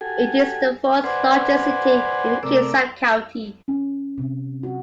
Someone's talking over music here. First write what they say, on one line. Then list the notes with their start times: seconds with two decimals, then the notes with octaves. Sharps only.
It is the fourth largest city in Kitsap County.
0.01 F#4 G4 A4 G#5
1.04 B4 C5 D5 F#5 G#5 C6
2.43 C3 A3 A#4 D5 D6 E6
3.68 C#4
4.18 C3
4.63 F#4